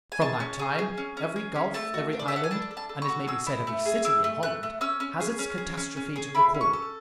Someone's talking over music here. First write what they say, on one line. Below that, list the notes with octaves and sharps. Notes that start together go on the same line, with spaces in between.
From that time every gulf, every island, and it may be said every city, in Holland has its catastrophe to record.
G#5
G#4 A5
C#4
G#4
G#4
C#4
C#4
G#4
C#4
A3 A5
F#4
D4
D5
E5
A4 F#5
G#5
D4 A5
A4
A5
A4
C#6
F#4
G#4 E6
E4
A3
G#4
E4 E6
A3
A3 F#6
A3
C#4 E6
C#4
G#4
C#4
G#4
C#4
C#4
G#4
E4 B5
C#4
C#6
A4